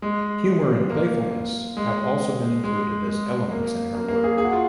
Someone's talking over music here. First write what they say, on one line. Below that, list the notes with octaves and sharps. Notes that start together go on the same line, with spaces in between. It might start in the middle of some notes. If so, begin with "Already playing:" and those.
Humor and playfulness have also been included as elements in her work.
G#3
A#3
G#3
G#3
G#3
A#3
A#3
A#3
G#4
G#4
F#4
F4